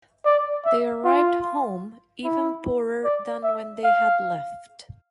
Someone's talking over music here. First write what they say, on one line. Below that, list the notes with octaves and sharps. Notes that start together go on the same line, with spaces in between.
They arrived home even poorer than when they had left.
D5
E5
F4
E4
D5
E5
F5